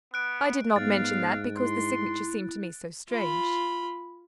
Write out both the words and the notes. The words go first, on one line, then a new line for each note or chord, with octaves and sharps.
"I did not mention that, because the signature seemed to me so strange."
B3 F#6 D7
G#2 B3 F5 A6
E4 C6
F4 B5